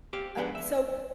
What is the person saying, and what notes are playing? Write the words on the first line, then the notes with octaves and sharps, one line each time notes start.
Uh so,
G4 C5 F5
F3 G#3 B3 D4 B4
E5